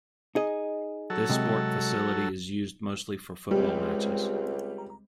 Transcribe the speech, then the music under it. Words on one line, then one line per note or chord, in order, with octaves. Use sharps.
This sport facility is used mostly for football matches.
D#4 G#4 D#5
F#3 A4
C3 G#3
C#2 G3 G#3 C4